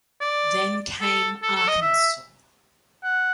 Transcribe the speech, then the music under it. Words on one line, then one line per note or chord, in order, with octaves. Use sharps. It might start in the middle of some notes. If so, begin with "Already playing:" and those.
Then came Arkansas.
D5
A4
A4
A4
D#5
E5
F#5